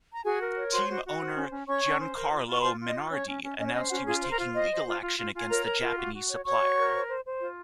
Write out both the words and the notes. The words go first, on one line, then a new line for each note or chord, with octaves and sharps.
Team owner Giancarlo Minardi announced he was taking legal action against the Japanese supplier.
A#5
F#4 G#4 G#5
A#4
C#5
F#4 C5 C6
F#4
F#4
C5
C#4
C#4
C#4 C#5 C#6
C#4
C5
A#4
F4
F4
C#6
F4 C5 C6
F4
D#5
F4
C#4 C#5
C#4
C#4
C#4 D#5
C#5
C5 D#5
C#4 F#4 F#5
F4 G#4 G#5
C5
A#4 A#5
F4
C5 D#5
C5
F4
F4
F4
F4 G#5
A#4 C#5 A#5
A#4
F4
F#4
F#4
C#5
F#4 C#5 C#6
F#4
A#4
C5
C5
C5
F4